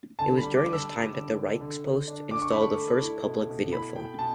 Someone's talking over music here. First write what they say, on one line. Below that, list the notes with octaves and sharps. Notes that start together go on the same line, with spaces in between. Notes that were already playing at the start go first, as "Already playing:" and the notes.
It was during this time that the Reichspost installed the first public videophone.
D3 A5
B5
G3
D6
G3
E6
G3
D3
D3
D3
D3
D4
D4 D6
C#6
A3 B5
C#6
A3
E4
B2
B2
E4 B5
E4 G5
B2 A5